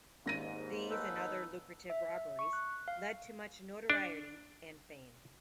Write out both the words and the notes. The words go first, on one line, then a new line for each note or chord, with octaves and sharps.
These and other lucrative robberies led to much notoriety and fame.
G#1 D#2 G#2 A#6 D#7
D#4 A4 B4
E5
C#6
F#6
F5
D4